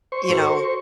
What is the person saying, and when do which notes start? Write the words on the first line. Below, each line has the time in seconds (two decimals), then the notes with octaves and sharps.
you know,
0.12 C5 C#6
0.29 F#4 A4 A#4